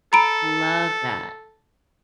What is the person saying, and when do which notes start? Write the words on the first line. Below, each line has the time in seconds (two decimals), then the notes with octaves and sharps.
Love that.
0.13 A4 A#5 B5 D7